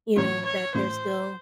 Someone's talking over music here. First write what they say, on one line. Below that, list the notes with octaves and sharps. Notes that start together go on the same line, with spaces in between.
you know, that they're still
A2 E3 A3 C#4 F4 C#5
C#5
A2 E3 A3 C#4 F4 C5